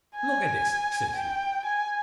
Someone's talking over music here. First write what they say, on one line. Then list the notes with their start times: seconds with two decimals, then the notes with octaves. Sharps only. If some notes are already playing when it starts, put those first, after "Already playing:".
Look at this, says he.
0.16 G#5
1.16 G5
1.66 G#5